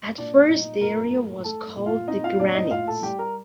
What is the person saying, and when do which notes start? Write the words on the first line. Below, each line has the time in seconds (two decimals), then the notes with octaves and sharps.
At first the area was called "The Granites".
0.18 A#2 D4 D5
0.49 A#2 D#4 D#5
0.81 A#2 A#4 A#5
1.12 A3
1.44 A3 A4 A5
1.76 A#2
1.86 F4 F5
2.07 C4 D#4 D#5
2.24 F4 F5
2.39 A#2 D4 D5
2.55 D#4 D#5
2.71 A2 F4 F5
2.87 A4 A5
3.02 G3 G4 G5
3.19 A#4 A#5